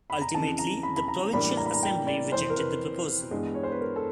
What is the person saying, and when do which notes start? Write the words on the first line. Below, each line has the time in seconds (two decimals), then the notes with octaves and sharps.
Ultimately the provincial assembly rejected the proposal.
0.10 B5
0.22 A#5
0.34 F2 C#3 E3 A5
0.59 A#5
0.83 B5
0.97 B5
1.08 A#5
1.33 A2 E3 G3 A#3 D4 B5
1.57 A#5
1.66 B5
1.74 A#5
1.83 G5
2.07 D5
2.32 F2 C3 E3 C5
2.50 A#4
2.57 B4
3.31 G2 E3 G#3 B3
3.54 C#5
3.63 C5
3.72 B4
3.81 A#4
3.96 A4